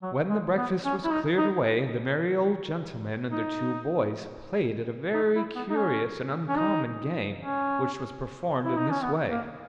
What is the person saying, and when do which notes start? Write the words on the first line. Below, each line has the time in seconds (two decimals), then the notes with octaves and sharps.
When the breakfast was cleared away; the merry old gentlman and the two boys played at a very curious and uncommon game, which was performed in this way.
0.02 F#3
0.29 G#3
0.57 B3
0.85 C#4
1.05 E4
1.11 D#4
1.38 D#4
3.31 D#4
5.14 D#4
5.36 E4
5.55 B3
5.70 D#4
5.76 C#4
6.49 C#4
6.57 D#4
7.40 C#4
8.63 E4
8.77 D#4
8.90 C#4
9.03 B3
9.31 A#3